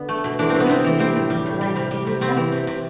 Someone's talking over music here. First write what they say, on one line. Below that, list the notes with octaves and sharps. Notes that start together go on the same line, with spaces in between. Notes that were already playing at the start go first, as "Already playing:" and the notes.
The seducing influence lay in himself.
Already playing: D3 B3
A3
B2
E3 D4
C3 C4
B3
C3 C4
E3
G3 C4
A2
G3
A2
G3
C3
G3
C3
C3 C4
E3
C3
C3